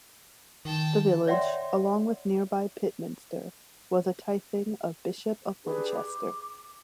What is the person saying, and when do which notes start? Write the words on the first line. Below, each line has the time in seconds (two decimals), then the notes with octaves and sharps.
The village, along with nearby Pitminster was a tithing of Bishop of Winchester.
0.65 D#3 G5 A5
1.27 C#5 D5 E5 F#5 G5 C6
5.64 D4 G4 G#4 B4
5.96 D6